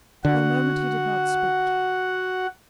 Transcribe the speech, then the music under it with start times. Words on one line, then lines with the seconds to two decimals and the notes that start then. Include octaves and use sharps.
For a moment he did not speak.
0.25 D3 F#4 F#5